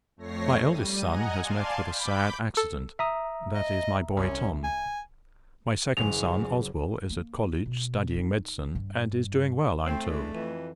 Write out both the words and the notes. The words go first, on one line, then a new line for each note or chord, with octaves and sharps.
My eldest son has met with a sad accident--that is, my boy Tom; my second son, Oswell, is at college studying medicine, and is doing well I am told.
F2 A3 C#5 A#6 C7
G3 D#7
D#5 F#5 G#5 A#5
D5 F5 G#5 A5 C6
B5 D6 G6
A4
E5 A#5 D#6
D#5
C2 C#4
G#5
F#1 D#2 G#4 F7
A#3
B2
D#4
G2
A3 C4
E3 G#3 D4
F2 E3